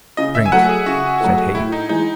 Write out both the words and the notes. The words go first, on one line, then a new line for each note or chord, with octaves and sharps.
"Drink!" said he.
C#3 D#5
E5
G#5
F#3 A3 F#5
G#4
C#3 F#4
F#3 A3
A2 E4
D#4
E3 G#3 D#4